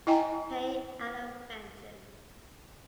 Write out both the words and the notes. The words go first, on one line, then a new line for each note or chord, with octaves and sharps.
Pai out of vengeance.
E4 D#5 G5 G#5 A#5